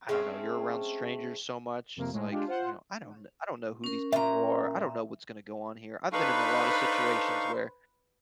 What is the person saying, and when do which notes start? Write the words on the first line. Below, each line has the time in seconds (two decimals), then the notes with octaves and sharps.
I don't know, you're around strangers so much. It's like, you know, "I don't know I don't know who these people are. I don't know what's gonna go on here." I've been in a lotta situations where
0.09 G#3 A3 C4 C#4
1.96 F2 C3 A#3
2.13 A2 G#3
2.31 G#3 D4 F4 G4
2.46 F4 C5 F#5
3.84 C#4 A#4
4.13 A#2 E5 A#5
6.13 D4 D#4 A4 B4 C5 F5 C#6